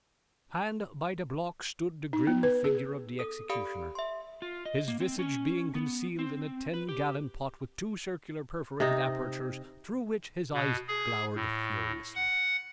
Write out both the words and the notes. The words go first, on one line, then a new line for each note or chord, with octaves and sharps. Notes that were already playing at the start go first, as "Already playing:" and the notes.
Hand by the block stood the grim figure of the executioner, his visage being concealed in a tengallon pot with two circular perforated apertures through which his eyes glowered furiously.
D#4
B3
B4
G#4
A4 D#6
G4 D5 F5 B5 D#6 D7
E5 C6
F4
D#5
A#3
C4
C#4
B3
C4
B4
G4
C3 D#4
B2
G#4
A2
F#5